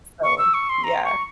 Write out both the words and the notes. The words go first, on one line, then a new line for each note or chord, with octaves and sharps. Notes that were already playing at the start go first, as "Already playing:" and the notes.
“So, yeah,
C#6
E6
C#6
C6
A#5
C#6